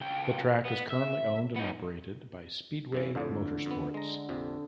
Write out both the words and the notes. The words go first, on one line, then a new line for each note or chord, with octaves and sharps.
The track is currently owned and operated by Speedway Motorsports.
C#2 G5
B3
E5
B3 D#4
F#2 C#3 E3
F2 A2 D3
F2 B3
G#3 A#5
A#1 F2 C3